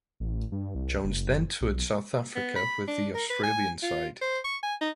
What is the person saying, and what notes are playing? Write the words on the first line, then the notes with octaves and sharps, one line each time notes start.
Jones then toured South Africa with the Australian side.
A1
G2
C2
F#1
B1
B3
B5
D4
A#4
B4
G#5
F4
C5
C#6
G#5
D#4